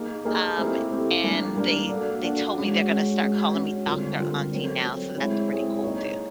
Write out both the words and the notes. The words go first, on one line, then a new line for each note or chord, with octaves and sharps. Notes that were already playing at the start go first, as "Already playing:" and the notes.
um, and they they told me they're gonna start calling me Doctor Auntie now, so that's pretty cool too.
Already playing: A#3 D#4 G#4
A#3 D#4 G#4
A3 C4 E4 G4
A3 C4 E4 G4
G3 A#3 D4
G3 A#3 D4
A#3 D4 F#4 A4
A#3 D4 F#4 A4
G#3 C#4 F#4
G#3 C#4 F#4
G#3 C#4 F#4
G#3 C#4 F#4
D3 G3 C4 F4 A#4
D3 G3 C4 F4 A#4
F#3 A3 C4
F#3 A3 C4
G#3 C4 E4 G#4 C#5
G#3 C4 E4 G#4 C#5
A#3 D#4 G#4 C#5